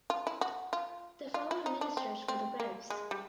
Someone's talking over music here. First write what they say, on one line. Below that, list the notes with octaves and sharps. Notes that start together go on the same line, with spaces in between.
The following ministers were the Revs.
F4
E4
F#4
F4
F4
E4
D#4
D4
C4
C4
A#3
G#3
G3